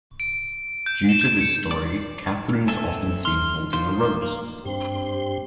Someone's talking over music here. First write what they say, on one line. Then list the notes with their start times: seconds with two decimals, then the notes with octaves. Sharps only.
Due to this story, Catherine is often seen holding a rose.
0.20 D7
0.86 G6
1.09 E7
1.21 G6
1.41 C#7
1.71 D5 D6
2.68 C4 A4 E5 G#5 A5
3.25 C6 F6
3.73 D#3 F4 C5
4.22 A#3
4.65 G2 C4 G4 C6